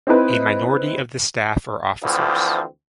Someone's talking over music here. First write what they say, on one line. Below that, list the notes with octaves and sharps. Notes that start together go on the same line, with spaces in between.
A minority of the staff are officers.
C4 D#4 E4 B4
D2 E3 F3 C4